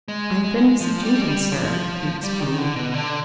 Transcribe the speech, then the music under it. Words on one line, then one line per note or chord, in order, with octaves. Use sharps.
"I have been to see Jenkins, sir," he explained.
G#3
G#3
F3
G3
G#3
G3
F3
G3
D#3
D3
B2
D3